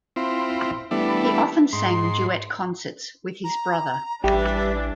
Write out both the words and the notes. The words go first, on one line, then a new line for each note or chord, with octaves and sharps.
He often sang duet concerts with his brother.
C4 E4 F4
E3 G3 A3 B3 D4 E4
G#2 C6
A#5
A1 E3 G3 D4 E5